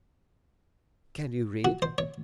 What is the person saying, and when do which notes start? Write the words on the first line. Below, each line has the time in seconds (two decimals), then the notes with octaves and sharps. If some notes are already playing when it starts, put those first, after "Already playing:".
"Can you read?"
1.65 F#4
1.82 C5
1.98 C#5